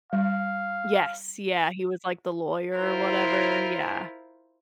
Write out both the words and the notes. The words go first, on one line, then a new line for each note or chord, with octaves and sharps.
Yes, yeah, he was like the lawyer or whatever, yeah.
G3 F5
E4 F4 A#4 C5